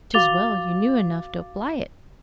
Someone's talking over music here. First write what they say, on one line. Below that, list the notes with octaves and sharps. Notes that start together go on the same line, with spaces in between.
'Tis well you knew enough to apply it.
F#4 F5 D6 A6 F7 G7